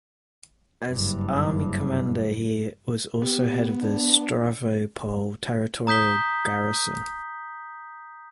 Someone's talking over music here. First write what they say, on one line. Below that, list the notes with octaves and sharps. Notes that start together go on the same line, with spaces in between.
As army commander he was also head of the Stavropol Territorial Garrison.
F#1 G2
B3 G4
D4
A#5 D#6 G6 B6 G7